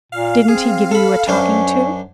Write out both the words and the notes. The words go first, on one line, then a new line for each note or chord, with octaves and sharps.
"Didn't he give you a talking to?"
A#2 F5
C4 G#4
A4 B5
F#2 C#4 D4 C5